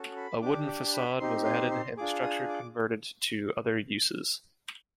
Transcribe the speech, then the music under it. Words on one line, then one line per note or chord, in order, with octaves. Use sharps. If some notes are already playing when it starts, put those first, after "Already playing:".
A wooden facade was added and the structure converted to other uses.
Already playing: C#4 F#4 A4
B5
D4 G4 D6
D6
B5
C4 D#4 G4 C6
C6
C6
D4 F4 G#4 D6
D#6
D6